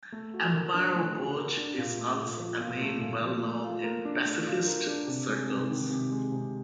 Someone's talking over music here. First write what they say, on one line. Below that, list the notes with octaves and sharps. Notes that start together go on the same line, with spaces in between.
Amparo Poch is also a name well known in pacifist circles.
A3
F#4
A#4
D4
A3
F#4
A#4
D4
A#2
A3
A#2
F3
A#2
A3
A#2
F3
A3
F4
A#4
D4
A3
F4
A#4
D4
C3
G#3
C3
D#3
C3
G#3
C3